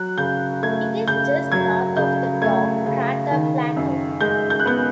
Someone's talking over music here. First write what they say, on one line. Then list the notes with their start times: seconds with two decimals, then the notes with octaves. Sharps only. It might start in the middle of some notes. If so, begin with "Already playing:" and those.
It is just north of the dark crater Plato.
Already playing: F#3 F#6
0.18 C#3 G6
0.63 A3 G#6
1.08 C#3 G6
1.52 F#3 G#6
1.97 C#3 G6
2.42 A3 G#6
2.86 C#3
3.31 D#3
3.77 F#2
4.21 G#3 G6
4.50 G6
4.60 F#6
4.65 B3 G6